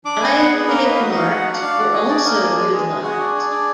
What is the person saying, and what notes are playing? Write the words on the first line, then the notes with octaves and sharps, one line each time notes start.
Diacritic marks were also utilized.
D4 D6
B3 G#5
B3 F#5
B3 G#4
A#3 A#4
D#4 B4
F5
F#4 D#5
D#4 F5
F#4 F#5
D4 F5
F#5
D4 F5
F#4 D5
G#4 D#5
D4 D5
A#3 A#4
D4 G#4
G#3 G#4
G#3
G#3
F#4
D4
D4
D4